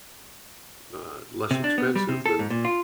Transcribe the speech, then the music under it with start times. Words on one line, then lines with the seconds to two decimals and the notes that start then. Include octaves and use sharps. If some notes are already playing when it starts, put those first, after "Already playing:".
uh, less expensive than
1.51 C3
1.64 D4
1.78 B3
1.96 G3
2.08 C3
2.26 A4
2.39 G#2
2.50 A#2
2.65 F4